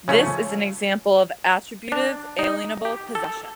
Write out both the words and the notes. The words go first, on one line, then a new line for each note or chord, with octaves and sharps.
This is an example of attributive, alienable possession.
C#3 F3 A3 C#4
D4
D#4
G4
A4